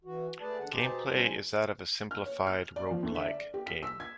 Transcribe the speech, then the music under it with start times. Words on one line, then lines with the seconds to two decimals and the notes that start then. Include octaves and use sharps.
Gameplay is that of a simplified roguelike game.
0.04 E3 F#4
0.41 A3 G#4 B4 D5 A5
0.58 E2 D3 F#5
0.71 B2 D#4 G4 G#4 C5 A5
1.07 A#2 C#3 G3 C5 G#5 A5
2.11 F6
2.25 C#5
2.46 F6
2.76 D5
2.91 F3
3.03 D2
3.15 E5
3.28 D5
3.54 G4
3.66 B6
3.83 E6
4.00 G#6